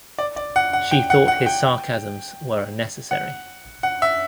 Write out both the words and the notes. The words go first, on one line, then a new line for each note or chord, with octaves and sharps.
She thought his sarcasms were unnecessary.
D5
D5
F#5
F#5
G5
F#5
F#5
G5
F#5
F#5
E5